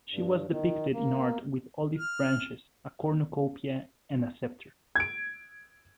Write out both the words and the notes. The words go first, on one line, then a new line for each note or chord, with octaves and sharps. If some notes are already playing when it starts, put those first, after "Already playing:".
She was depicted in art with olive branches, a cornucopia and a scepter.
G2
D#3
A#3
F6
G#6 D7